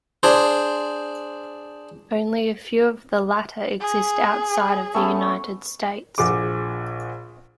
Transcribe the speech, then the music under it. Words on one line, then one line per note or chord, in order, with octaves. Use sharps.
Only a few of the latter exist outside of the United States.
D4 G#4 C5
G#4
A3 B3 C#4
A#1 F#4 G#4 D6